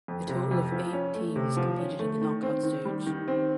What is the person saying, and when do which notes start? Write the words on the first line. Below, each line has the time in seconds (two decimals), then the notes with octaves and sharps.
A total of eight teams competed in the knockout stage.
0.08 F2
0.29 C3
0.51 F2
0.72 F3
0.93 C#4
1.15 A3
1.36 C3
1.57 F3
1.78 C#4
1.99 A3
2.21 D#3
2.43 C4
2.63 D#3
2.85 G3
3.06 D#3
3.28 C4